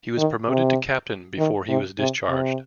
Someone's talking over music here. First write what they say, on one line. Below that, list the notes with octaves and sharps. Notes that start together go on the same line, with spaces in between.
He was promoted to Captain before he was discharged.
D#3
C3
D#3
C3
C3
C3